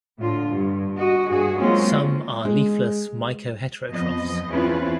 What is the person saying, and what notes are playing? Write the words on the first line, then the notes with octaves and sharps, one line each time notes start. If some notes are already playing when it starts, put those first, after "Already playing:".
Some are leafless myco-heterotrophs.
A2 D3 F4
G2
F#4 D#5
G2 F#4 G#4
F#3 G#3 A#3 C4 C#4 F4
G#3
F2 F3 B3 D#5
E2 C4 C#4 E4 F4 B4